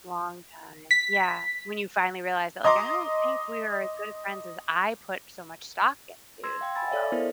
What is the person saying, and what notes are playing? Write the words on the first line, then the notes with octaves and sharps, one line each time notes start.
Long time, yeah, when you finally realize that, like, "I don't think we are as good friends as I put so much stock into," so
B6
D#5 A#5 C6 D6
C6 E6 G#6 A#6
F5 G5 E6
G#5 B5 E6 A6
A4 C#5 D5 E5 F5
B3 E4 A4 A#4 C5